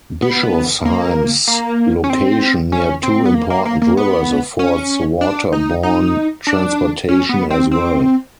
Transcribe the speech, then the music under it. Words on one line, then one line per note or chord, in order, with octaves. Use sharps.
Bischofsheim's location near two important rivers affords waterborne transportation as well.
B3
A#3
A#3
C#4
C4
C#4
C4
B3
A#3
A#3
A#3
A#3
B3
C#4
D4
D#4
D#4
D4
C#4
B3
C4
C4